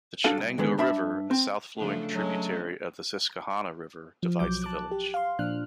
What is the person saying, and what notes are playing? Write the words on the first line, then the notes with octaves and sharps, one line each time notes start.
The Chenango River, a south-flowing tributary of the Susquehanna River, divides the village.
D4 F#4 A4 F5
C2
D#2 G#2 D3 G#3 B3
G2 D4 E5 B5
C4
C#3 F3 A3 D4
F#3 G#3 C#4
F3
B1 F#3 D6 G6
A5 D6 F#6
G4
F5 C6
A#2 F3 D4 F6 F#6